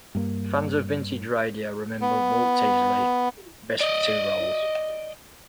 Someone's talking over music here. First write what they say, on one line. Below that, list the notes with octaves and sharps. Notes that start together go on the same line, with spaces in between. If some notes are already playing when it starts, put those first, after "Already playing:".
Fans of vintage radio remember Walter Tetley best for two roles.
G2 A#3
B3
D5 D#5